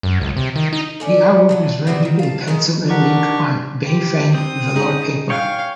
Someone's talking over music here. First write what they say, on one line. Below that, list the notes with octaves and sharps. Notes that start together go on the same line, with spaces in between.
The artwork was rendered in pencil and ink on Bienfeng velour paper.
F#2
C#2
C3
D#3
D#4
A3 C#4 D4
F#3 G#3 A3
B2 G3 B3 C4
D#3
F5 A5
D#3 G#3 C#4
D4 D#4 G4 A#4 F#5 C#6
G4
C4 D#6
C#4 D#4 G#4
C#5 F5 G5 G#5